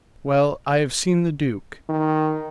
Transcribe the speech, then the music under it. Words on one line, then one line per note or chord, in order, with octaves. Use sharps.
"Well, I have seen the duke."
D#3